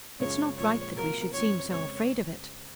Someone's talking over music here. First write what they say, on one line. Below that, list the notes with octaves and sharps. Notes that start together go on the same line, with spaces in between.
It's not right that we should seem so afraid of it.
F#2 C#3 G#3 C#4 F4 C#5
A#2 F3 G#3 C#4 C#5
C3 F#3 A#3 F4 A#4
F#2 F3 C4 C#5
F2 C#3 G#3 C4 C#5